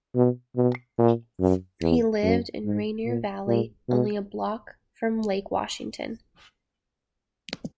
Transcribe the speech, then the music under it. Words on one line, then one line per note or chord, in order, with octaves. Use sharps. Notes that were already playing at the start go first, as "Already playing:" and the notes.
He lived in Rainier Valley only a block from Lake Washington.
B2
B2
A#2
F#2
E2
F#2
G#2
A#2
A#2
B2